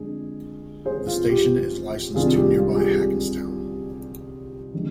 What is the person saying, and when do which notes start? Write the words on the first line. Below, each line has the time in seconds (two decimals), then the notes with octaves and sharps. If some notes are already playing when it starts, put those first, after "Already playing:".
The station is licensed to nearby Hackettstown.
Already playing: F2 D3 G#3 D4 G#4
0.85 G#4 C5
1.07 F4
1.30 G4
2.14 C2 C3 D#3 G3 D4 F4 G#4
2.36 G4
2.58 F4
2.75 G#4
2.79 G4
4.73 D3 F3 G#3 C4